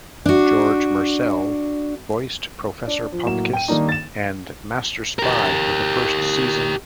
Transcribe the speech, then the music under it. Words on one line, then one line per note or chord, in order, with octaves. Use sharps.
George Murcell voiced Professor Popkiss and Masterspy for the first season.
D4 F#4
D4
F3
A2 F#3 A#3 E7
G5 D#7
D#3 G3 A#3 D4 D#4
A6 E7
G4 A#4